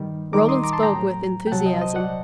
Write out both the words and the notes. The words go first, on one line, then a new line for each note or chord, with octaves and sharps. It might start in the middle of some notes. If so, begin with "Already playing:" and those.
Rollin spoke with enthusiasm.
Already playing: G2 D#3 G3
D#2 D#3 G3 A#5 D6
C6 D#6
A#5 D6
A5 C6
G5 A#5
A2 F#3
G5
C2 C3 F#3 F#5 A5
D#5 G5
C5 D#5
D5 F#5